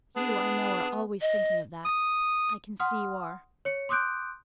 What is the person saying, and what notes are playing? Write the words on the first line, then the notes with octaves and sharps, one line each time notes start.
You, I know, are always thinking of that--I can see you are.
B3 D4 G#4
D#5
D#6
F#5 C6 D#6 F6
C#5 C#7
C6 D6 D#6 F#6 G6 D7